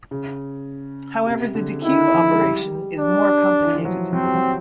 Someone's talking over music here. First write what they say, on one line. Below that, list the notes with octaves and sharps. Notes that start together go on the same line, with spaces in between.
However the dequeue operation is more complicated.
C#3
C3
D3
D#3 E4
F3
G#3
G3
D4
E3
F3
F#3
F#3 C4
G3
F#3